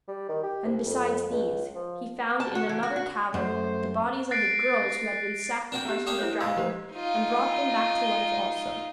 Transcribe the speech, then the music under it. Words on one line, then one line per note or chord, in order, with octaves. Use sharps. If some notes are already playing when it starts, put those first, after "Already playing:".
And, besides these, he found in another cavern the bodies of the girls who had been sacrificed to the dragon, and brought them back to life also.
G3
D#3
G4
C2
F2
C#2
F3
A5
F#4
E3
F#4
F#4
F#2 A3 C5
F#6 A6 A#6 C7 D7
C4 D4 F#4 G5
B3 G4
A#3 D4 G4 D#6
E4 C5 C#5
G#3 F5 C6 E6 G#6
F3 G4 C5
D#4 F4